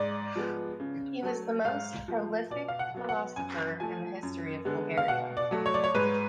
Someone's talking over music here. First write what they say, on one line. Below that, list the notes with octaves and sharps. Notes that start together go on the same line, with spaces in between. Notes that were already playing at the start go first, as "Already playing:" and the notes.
He was the most prolific philosopher in the history of Bulgaria.
Already playing: G#2 D5
F3 G#3 B3
C#3
F#3 A3
G#2 F5
F3 A3
B2 D5
F5
F#5
F#3 B3
F#5
F#2 G#5
F3 A3 G#5
F#2
D3 G#3 B3
F5
B2 F#5
D5
F#3 A3
C#5
D5
C#5
G#2 B4